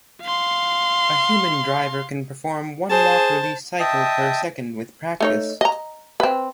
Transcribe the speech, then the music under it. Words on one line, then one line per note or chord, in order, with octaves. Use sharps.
A human driver can perform one lock-release cycle per second with practice.
F5 C6
G#4 C5 A5
D#5 E5 G5 A5 D#6
A3 D#4 C#5
D#5 A#5
C4 B4